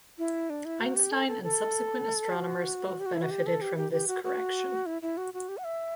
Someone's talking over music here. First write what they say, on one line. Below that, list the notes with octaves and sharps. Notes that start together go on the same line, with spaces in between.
Einstein and subsequent astronomers both benefitted from this correction.
E4
D4
E4
F#4
G4
A4
A4
A4
F#4
G4
F#4
E4
F#4
G4
A4
G4
G4
G4
F#4
F#4
E4
E4
F#4
F#4
G4
F#5
E5